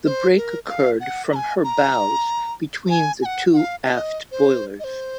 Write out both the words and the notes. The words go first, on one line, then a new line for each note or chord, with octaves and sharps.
The break occurred from her bows, between the two aft boilers.
C5
A#4
F5
F#5
A#5
G#5
A#5
G#5
G#5
F#5
F#5
F5
D#5
C5
D#5
C5